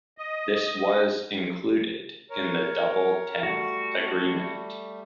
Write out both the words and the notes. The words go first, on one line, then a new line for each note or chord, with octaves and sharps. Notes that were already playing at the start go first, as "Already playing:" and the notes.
This was included in the Double Tenth Agreement.
D#5
A#4 C#5
G3 A3 F#4